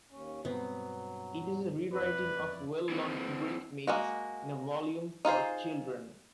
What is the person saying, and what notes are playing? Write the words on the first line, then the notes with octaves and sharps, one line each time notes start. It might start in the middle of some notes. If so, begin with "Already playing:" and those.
It is a re-writing of well-known Greek myths in a volume for children.
D#2 C#4
G2 B2 F#3 B3 C4
E1 F2 E4 B4 D5
E3 C4
G#3 A#3 F#4
D#4 F4 G#4 C5